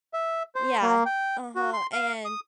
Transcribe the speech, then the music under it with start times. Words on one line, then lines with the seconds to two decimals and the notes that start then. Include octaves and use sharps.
Yeah. Uh-huh, and,
0.14 E5
0.55 C5
0.82 A#3
1.06 G5
1.55 F#4
1.73 C6
1.93 F5
2.25 D#6